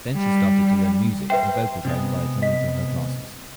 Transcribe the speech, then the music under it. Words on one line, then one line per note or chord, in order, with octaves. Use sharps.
Then she started to learn music and vocal train by attending to her classes.
G3
B4 C5 E5 G5
C3 G#3 B3
D#5 B6